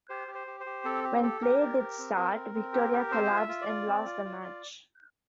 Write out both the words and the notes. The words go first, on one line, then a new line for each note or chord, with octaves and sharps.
When play did start, Victoria collapsed and lost the match.
G4 C5
G4
C5
G4
C5
G4
C4 A4
G4
G4 A4
G4 A#4
G4
G4
C4
C4
C4
C4
G4
G4
C4 C5
F4
E5
F4
D5
F4
C4
F4
F4
F4